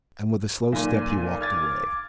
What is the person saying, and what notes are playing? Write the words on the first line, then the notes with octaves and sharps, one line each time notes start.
And with a slow step he walked away.
B1 A#2 G#5
D6 F6 G#6 A6